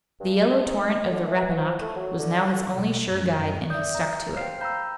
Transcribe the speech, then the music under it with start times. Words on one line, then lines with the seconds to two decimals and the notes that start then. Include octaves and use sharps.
The yellow torrent of the Rappahannock was now his only sure guide and he stuck to it.
0.20 G2
0.46 D4
0.66 D#4
1.09 D3
1.26 E3
1.55 F3
1.81 A3
1.96 F#3
2.19 D3
2.75 B1
3.10 F#2
3.70 D5 E5 D#6 G6
3.95 A#5
4.37 C5 F5 G5 F6 C7
4.61 F5 A#5 B5 E6 G6